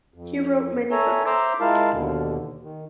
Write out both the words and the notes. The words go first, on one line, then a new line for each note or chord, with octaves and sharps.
He wrote many books.
F2
A4 C#5 E5 G#5 A#5
C5 E5 A#5 C6 D6 E6
G#3 E4 F4 A#4 F5 A5
D#2 B2 D3
D#3